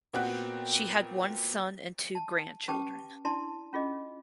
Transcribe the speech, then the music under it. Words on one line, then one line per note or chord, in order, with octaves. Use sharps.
She had one son and two grandchildren.
A#2 B3 C4 F#4 G5 F#6
A5
C#4 G4 B4 G5 A5 D6
D4 E4 D5 A5 C6
C#4 F4 G#4 D#5